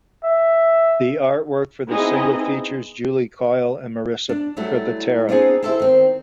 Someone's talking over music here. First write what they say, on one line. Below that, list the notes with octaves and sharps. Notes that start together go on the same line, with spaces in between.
The artwork for the single features Julie Coyle and Marisa Privitera.
E5
B3 C4 D#4 E4 G#4 D#5
D4
F#3 G3 A3 E4 F#4
B3 C4 D4 D#4 G#4
E4 G4 A4 C5 D5 E5
D#3 C4